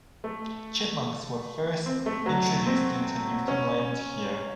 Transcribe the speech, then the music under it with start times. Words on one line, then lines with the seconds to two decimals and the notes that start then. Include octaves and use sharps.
Chipmunks were first introduced into Newfoundland here.
0.24 A3
1.86 C4
2.06 A3
2.26 F#3
2.66 C4
3.48 C#4